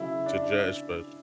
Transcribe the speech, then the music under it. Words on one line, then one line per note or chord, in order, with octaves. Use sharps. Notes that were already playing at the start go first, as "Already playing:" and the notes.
To Jazz Fest.
Already playing: C#3 F#3 E4
D4